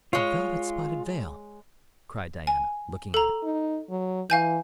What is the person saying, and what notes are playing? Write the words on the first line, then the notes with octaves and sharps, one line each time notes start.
"A velvet-spotted veil!" cried Diana, looking at it.
G#3 F4 C#5
G#5
A4 A#5
D#4
F#3
E3 F5 G#5 G6